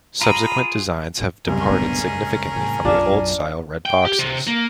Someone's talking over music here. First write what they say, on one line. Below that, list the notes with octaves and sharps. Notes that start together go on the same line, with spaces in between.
Subsequent designs have departed significantly from the old style red boxes.
F4 G#4 A#5 B5
F#1 C2 C#4 G#4 A#4
D1 B3 D4
G#3
A2
B1 F#2 B2 D4 F4 E5
G5
G4
C3
A#3